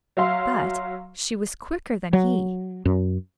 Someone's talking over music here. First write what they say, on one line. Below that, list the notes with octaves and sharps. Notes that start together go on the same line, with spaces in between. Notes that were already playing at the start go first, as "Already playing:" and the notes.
But she was quicker than he.
F#3 E5 F5 C6
F#3
F#2